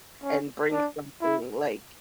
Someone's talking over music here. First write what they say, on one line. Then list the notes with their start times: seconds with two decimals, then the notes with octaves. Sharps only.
and bring something," like,
0.23 C#4
0.72 D4
1.22 E4